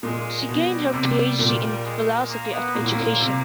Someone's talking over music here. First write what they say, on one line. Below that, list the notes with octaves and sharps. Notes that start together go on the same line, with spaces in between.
She gained her PhD in philosophy of education.
A#2 G#3
B2
G3
C3
A#2
G#3
A#3
B3
A#2 A#3
A2
A#2
C3